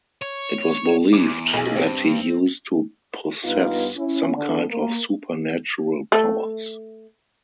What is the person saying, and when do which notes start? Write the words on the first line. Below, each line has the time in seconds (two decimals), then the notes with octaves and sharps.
It was believed that he used to possess some kind of supernatural powers.
0.22 C#5
1.13 E2 D6
1.53 B1 G#4
1.76 G2 C4
3.44 G2 B3 D#4 F4
3.96 C#4 E4
4.35 D3
4.70 A#3
6.12 A3